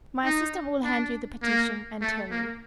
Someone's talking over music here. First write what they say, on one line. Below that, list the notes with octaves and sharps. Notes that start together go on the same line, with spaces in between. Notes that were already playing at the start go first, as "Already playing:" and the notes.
"My assistant will hand you the petition and tell you."
D#4
D4
A#3
A3
A#3